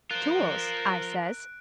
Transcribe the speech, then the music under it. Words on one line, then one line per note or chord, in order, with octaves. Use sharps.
"Tools?" I says.
F4 A#4 C5 F#6 D7